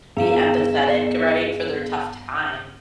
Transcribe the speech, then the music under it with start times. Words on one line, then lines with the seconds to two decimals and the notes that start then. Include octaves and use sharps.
be empathetic, right, for their tough time.
0.17 G2 B3 G#4 F5 E7